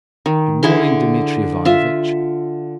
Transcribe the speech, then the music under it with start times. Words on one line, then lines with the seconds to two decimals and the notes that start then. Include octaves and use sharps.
"Good-morning, Dmitri Ivanovitch."
0.26 D#3
0.63 D3 E4 G#4 C6
1.65 F4 E5